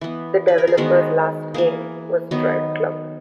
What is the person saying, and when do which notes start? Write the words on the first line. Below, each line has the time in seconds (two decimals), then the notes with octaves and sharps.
The developer's last game was "Driveclub".
0.01 E3 B3
0.48 B4
0.58 A#4
0.67 G#4
0.77 D#3 G#3 B3 F#4
1.54 E3 A#3 G#4
2.31 D#3 F#3 B3